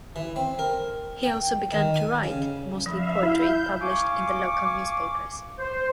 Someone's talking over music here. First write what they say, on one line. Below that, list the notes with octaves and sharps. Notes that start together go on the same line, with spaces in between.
He also began to write, mostly poetry published in the local newspapers.
E3
C4
A#4
G5
D#3
G#5
C#3
F3 E5 F5 B5
E4 G6
F5 G#5 C#6 D6
C5